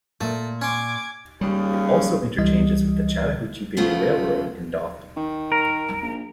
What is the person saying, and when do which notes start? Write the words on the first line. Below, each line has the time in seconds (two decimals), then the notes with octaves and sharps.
It also interchanges with the Chattahoochee Bay Railroad in Dothan.
0.21 A#2 A3
0.62 C#4 C6 D6 G#6
1.41 D#2 C#3 G3
2.38 C#2 E3 G3 D#5
3.77 C#3 F3 A3 B3
5.16 D#3
5.52 A#4
6.02 A#1